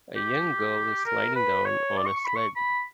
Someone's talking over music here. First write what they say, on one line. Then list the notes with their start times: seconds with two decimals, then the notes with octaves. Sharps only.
A young girl is sliding down on a sled.
0.16 G4
1.06 A#4
1.35 B4
1.65 C#5
1.97 D5
2.06 C#6
2.17 C#6
2.25 B5
2.36 C#6
2.56 B5